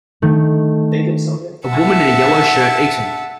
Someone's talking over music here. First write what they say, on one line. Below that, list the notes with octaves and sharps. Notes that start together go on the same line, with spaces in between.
A woman in a yellow shirt eating.
D#3 A3
E5 F#5 A5